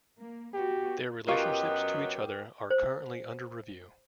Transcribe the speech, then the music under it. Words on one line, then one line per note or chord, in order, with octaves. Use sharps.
Their relationships to each other are currently under review.
A#3
B3 F#4 G4
F#2 F#3 B3 F4 G4 A#4 D#5 C#6
C5